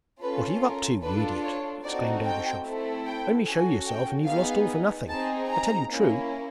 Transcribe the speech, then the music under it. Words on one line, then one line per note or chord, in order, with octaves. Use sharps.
'What are you up to, you idiot?' exclaimed Ergushov. 'Only show yourself and you've lost all for nothing, I tell you true!
C#4 F4 A4 B4
A#4
D4 F4 A4 B4
C#5
C4 D#4 F#4 A4 D5
G5
A3 C4 E4 A4
G5
C#4 F#4 A4 G#5
G5
B3 D#4 G#4 F5
C4 D#4 G#4 A5
A#5
A#3 C#4 E4